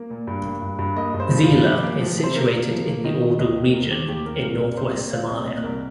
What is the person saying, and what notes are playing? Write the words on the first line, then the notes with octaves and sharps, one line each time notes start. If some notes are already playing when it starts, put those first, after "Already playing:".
Zeila is situated in the Awdal region in northwest Somalia.
Already playing: A#3
A#2
G2
A#3
G2
G2
A#3 D#5
G2
C5
F3
F4
G2
F3 G4
A#3
F3
C3
C5
A#3 A#4
A#3
F3
A#3
D#3 D#5
D#3
D#2 D#5
A#3
D#2 A#4
D#3 G4
D#2 G4
A#3 A#4
C2 A#4
A#3
C2 C5
A#3
A#2 F5
C2 D#5
A#2 D#5
C2 A#4